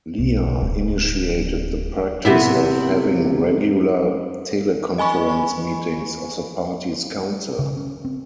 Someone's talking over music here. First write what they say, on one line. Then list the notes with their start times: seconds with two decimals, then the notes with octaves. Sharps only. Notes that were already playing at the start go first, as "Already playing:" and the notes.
Lea initiated the practice of having regular teleconference meetings of the party's council.
0.18 B1
0.62 D1
2.25 C3 B3 E4
4.98 D#5 G#5 B5 C#6
7.59 C#3
7.77 C#4
8.05 C4